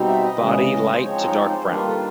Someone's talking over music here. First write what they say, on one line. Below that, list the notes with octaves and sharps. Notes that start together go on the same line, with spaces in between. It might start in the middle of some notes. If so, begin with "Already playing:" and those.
Body light to dark brown.
Already playing: B2 G3 C4 D#4
E5
D#5
C#3 E3 G#3
C5
F3 G#3 C4 D#4 C#5
C#5
D5
C5
D#3 G3 A#3 D4 F4 B4
B4
A4